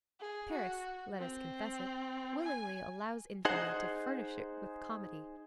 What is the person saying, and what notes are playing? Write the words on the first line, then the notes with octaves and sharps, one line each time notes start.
Paris,--let us confess it--willingly allows infamy to furnish it with comedy.
G#4
F#4
C4
G#5
D#4 G#4 C5 F#5